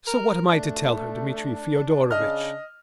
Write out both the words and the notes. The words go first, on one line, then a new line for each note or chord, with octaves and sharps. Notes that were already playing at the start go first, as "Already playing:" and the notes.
So what am I to tell her, Dmitri Fyodorovitch?
A#4
A3 D4
C#3 D#5 F6